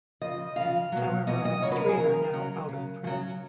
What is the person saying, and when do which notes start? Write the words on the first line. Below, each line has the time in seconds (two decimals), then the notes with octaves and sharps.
However, all three are now out of print.
0.21 C#3 F3 D#5
0.56 C#3 F3 F5
0.92 B2 F#3
1.27 B2 F#3 D#5
1.45 D#5
1.62 C#3 F#3 C#5
1.72 B4
1.80 A#4
1.89 G#4
1.97 C#3 F#3 A#4
2.33 C#3 F#3
2.69 C#3 F#3
3.04 C#3 F#3